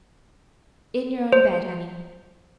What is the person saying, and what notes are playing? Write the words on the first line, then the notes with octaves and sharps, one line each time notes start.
"In your own bed--honey."
C5